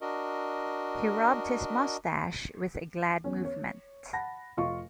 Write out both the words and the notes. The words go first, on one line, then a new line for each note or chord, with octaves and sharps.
He rubbed his moustache with a glad movement.
D4 F#4 A#4 D#5
E2 C#4
C#5
F#5 A5 B5 A#6
F1 F4 D#5 F5 C#6